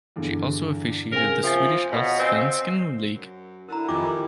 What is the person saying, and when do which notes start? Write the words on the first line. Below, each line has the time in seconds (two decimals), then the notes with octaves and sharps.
She also officiated in the Swedish Allsvenskan league.
0.16 E2 G2 D3
1.12 C#3 C4 A#4 G#5
1.43 F3 E5 G#5 A6
1.91 B2 C#5 D#5 F5
2.19 C4 D#5 F5 G#5
3.14 F#2
3.69 D3 E4 A#4 A#5
3.88 F2 D#3 G3 F4 G#5 D6